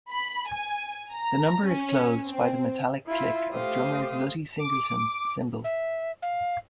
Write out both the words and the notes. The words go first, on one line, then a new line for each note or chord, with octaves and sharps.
The number is closed by the metallic click of drummer Zutty Singleton's cymbals.
B5
G#5
A#5
C#4
C4
E4 F4 E5
A3 G4 C5 F5 D#6
D6
E5
F5